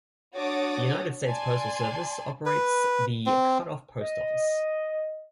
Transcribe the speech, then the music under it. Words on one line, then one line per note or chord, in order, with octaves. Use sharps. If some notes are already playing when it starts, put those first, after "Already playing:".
The United States Postal Service operates the Cut Off Post Office.
D4 F#4 C#5 D6 D#6 A6
D5 G#5 A5 C6
B4
C4
D#5